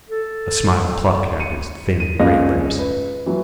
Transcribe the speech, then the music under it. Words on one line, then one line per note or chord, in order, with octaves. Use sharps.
A smile plucked at his thin, gray lips.
A4
C#7 D#7
D#7
G#1 C#2 C#4 G#4 F5 A#6
B4
E3 F#3